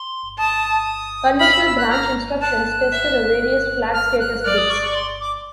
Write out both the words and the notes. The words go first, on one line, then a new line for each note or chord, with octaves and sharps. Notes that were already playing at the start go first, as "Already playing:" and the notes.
Conditional-branch instructions test the various flag status bits.
Already playing: C6
A5 D#6
B5 F6
E6
E6
F#6
A#5 F6
A5 F#6
E5
F6
F#6
D5 F6
D#6
C#6
C#6
C6
D6